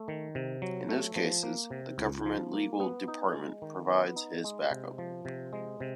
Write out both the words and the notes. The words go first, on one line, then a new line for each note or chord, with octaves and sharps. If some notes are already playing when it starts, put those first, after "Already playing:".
In those cases the Government Legal Department provides his back-up.
Already playing: A3
D#3
C3
F#3
A3
F3
A#3
C3
C#2
F3
A#3
B3
D#4
G#3
D#3
B3
D#4
G#3
C3
F3
C3
G#3
C3